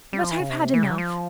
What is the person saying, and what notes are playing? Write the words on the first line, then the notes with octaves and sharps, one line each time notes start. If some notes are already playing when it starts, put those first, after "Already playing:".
But I've had enough.
G3
F3
E3
C#3
C3
E3
C#3
E3
F3